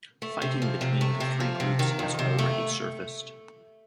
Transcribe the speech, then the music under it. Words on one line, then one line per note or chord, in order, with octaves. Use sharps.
Fighting between the three groups has already surfaced.
A3
C3
F3
C3
A3
C3
F3
C3
D#3
F2
C3
A3